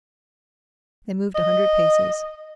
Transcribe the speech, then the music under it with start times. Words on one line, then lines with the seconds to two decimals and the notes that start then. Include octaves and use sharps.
They moved a hundred paces.
1.35 D#5